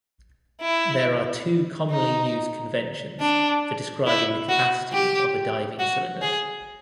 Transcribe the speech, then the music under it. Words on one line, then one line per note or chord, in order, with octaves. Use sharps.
There are two commonly used conventions for describing the capacity of a diving cylinder.
E4
D#4
D4
E4
F#4
G4
F#4
G#4